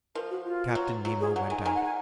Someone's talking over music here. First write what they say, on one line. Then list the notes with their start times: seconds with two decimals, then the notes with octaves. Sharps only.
Captain Nemo went out.
0.15 F3 A#4
0.30 F#4
0.46 F4
0.75 F#3
1.05 F#3 F4
1.20 G#4
1.36 F#3 F#5
1.50 D#3 G#5
1.66 D#3 G#5
1.75 F#5
1.85 G#5